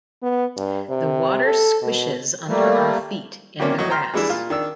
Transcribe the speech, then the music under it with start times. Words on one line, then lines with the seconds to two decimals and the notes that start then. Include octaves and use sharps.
The water squishes under our feet in the grass.
0.23 B3
0.57 G2
0.90 C3
1.44 A4
1.82 B2
2.48 G3 A3 A#3
3.59 C3 D#3 F#3 A#3 C#4 D4
3.78 A2 F#3 D#5 C#6
3.90 G5 A#5 C6 F6
4.14 E3 G3 G#3 D4 E4
4.30 A#2 F4
4.50 D#3 D4 E6